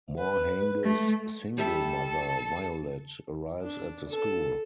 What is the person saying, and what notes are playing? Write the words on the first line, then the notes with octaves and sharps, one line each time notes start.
Morhange's single mother, Violette, arrives at the school.
B4
A3
G3 A4 E5
D4
A4